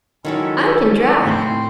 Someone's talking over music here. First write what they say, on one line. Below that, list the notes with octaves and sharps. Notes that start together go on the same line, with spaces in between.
I can drive.
D#3 F#3 G#3 C#4 E4 A4
A2 A3 C4